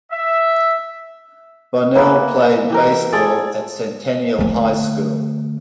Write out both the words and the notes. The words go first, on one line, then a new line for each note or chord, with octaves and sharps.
Bonnell played baseball at Centennial High School.
E5
A#3 B3 E4 B4
E3 G4 A#4
F4 G#4 A4 D5
D3 A3